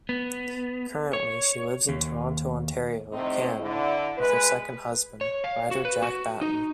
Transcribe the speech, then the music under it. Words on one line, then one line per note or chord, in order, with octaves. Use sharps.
Currently, she lives in Toronto, Ontario, Canada with her second husband, writer Jack Batten.
B3
C#5
D#2
F2 A2 C3 C4 D#4
D3 E4
G#3 B4
C#5
F5
F#4
B4
F#4
D#4